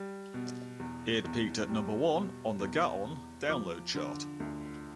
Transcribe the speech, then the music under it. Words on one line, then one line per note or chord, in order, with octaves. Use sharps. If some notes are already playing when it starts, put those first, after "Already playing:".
It peaked at number one on the Gaon Download Chart.
Already playing: G3
B2
E2
E2
G3
B2
E2
E2
F3 D6
D3
D2